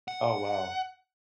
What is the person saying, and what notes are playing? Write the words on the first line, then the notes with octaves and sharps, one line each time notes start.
Oh, wow.
F#5